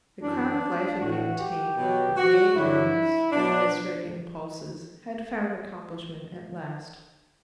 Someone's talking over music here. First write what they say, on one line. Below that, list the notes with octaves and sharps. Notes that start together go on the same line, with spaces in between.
The crown of life had been attained, the vague yearnings, the misread impulses, had found accomplishment at last.
F#2 E3 D4
A2 E3 F#4
G4
B2 F#3
F#4
G2 D3 F#3 E4
B2 F#3 D4